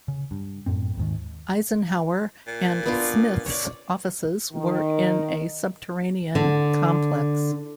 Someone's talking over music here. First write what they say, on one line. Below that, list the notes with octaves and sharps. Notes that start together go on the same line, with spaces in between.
Eisenhower and Smith's offices were in a subterranean complex.
C#3
G2
F#2 A2 C4
D#2 G#2 D#3
A#2
B3 D4 F4
C#5 D5
D#3
D3